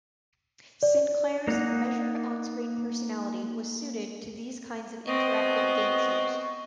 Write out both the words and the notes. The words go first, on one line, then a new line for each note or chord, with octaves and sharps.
Sinclair's measured on-screen personality was suited to these kinds of interactive game shows.
D5
A#3 D#4 F#5 A#5
B3 C4 D#5 C#6